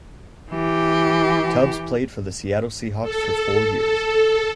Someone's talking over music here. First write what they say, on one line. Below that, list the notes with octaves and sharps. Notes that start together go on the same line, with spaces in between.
Tubbs played for the Seattle Seahawks for four years.
E3 G4
A4
A4